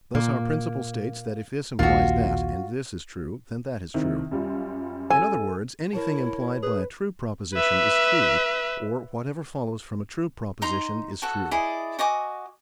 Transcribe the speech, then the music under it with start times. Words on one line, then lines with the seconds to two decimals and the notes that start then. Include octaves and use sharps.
Thus our principle states that if this implies that, and this is true, then that is true. In other words, 'anything implied by a true proposition is true', or 'whatever follows from a true proposition is true'.
0.15 A#2 A#3
1.79 A#1 D#2 A#2 F4 F#4
3.94 C3 D#3 E4
4.31 F#2 G3 F4
5.10 A4 G#5
5.93 E4 A#4 C#5 A5
6.63 G#4 B4
7.54 B4 E5
10.62 D#4 A#5 C6
11.22 F#4 A4 F#5
11.51 E4 G#4 D5 D#5
11.99 F#4 D#5 G#5 D6